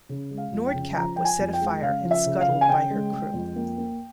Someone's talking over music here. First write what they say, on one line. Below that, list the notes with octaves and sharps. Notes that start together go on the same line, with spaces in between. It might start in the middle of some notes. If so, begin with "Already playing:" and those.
"Nordkapp" was set afire and scuttled by her crew.
C#3
G#3
F5
F2
G5
C#3
F3 A#5
F3 G5
G#5
F2
G5
G#3
C#3 F5
F3
E5
C#3
F5
C#3
G#5
C#3 G5
G#3
G#3
F2
A#3
A#3